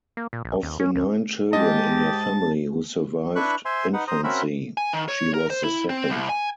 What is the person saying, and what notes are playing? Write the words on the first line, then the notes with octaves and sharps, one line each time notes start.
Of the nine children in her family who survived infancy, she was the second.
A#3
A#2
A#1
D#2
C#4
D2
G#2 G#3 G4 D#5 A5
D4 E4 B4 B5 C#6 F#6
C5 E5 G#5 C6
D#4 B4 F#5
C5 A#5 D#6
C4 C#4 F#4 A#4 E5 B5
G#5
D#3
C#5
A#4
C5
E4
C4
C2
G#5